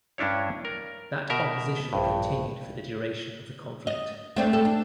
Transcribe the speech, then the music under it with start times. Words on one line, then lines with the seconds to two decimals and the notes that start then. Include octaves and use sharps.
That opposition continued for the duration of the conflict.
0.18 G2 C#4 D4 E4 C#5
0.65 A#4
1.30 B2 A#4 E5
1.93 A#1 G2
3.87 D#5
4.36 A3 C4 D4
4.53 A4
4.65 D4